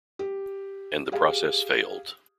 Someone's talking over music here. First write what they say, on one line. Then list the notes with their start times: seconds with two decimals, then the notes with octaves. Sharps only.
And the process failed.
0.19 G4
1.12 G4 G#4 F5